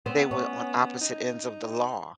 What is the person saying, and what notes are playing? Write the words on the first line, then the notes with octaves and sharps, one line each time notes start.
they were on opposite ends of the law.
B3 C4
C#4
D#4